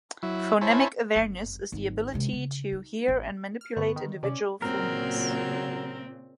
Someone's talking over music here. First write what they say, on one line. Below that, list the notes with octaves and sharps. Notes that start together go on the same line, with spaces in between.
Phonemic awareness is the ability to hear and manipulate individual phonemes.
F#3 E4
E4 C5 C#5 G#5 A5 B5
G1 F#2
G#1
C3 G#3
C#3
D#4
A1
F6
G2 D3 B3 C#6
D#3
C3 C#4 D5
A#2 C#3 F#3 C4 A#4